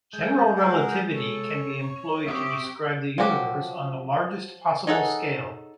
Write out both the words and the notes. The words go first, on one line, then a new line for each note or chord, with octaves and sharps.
General relativity can be employed to describe the universe on the largest possible scale.
G#3 G6
G#4 A#4 F#5
A4 C#5
C#6
C4 G4 E5 D#6
F3 F#3 F#4 G4
D#4 G#4 A4 C#5 F#5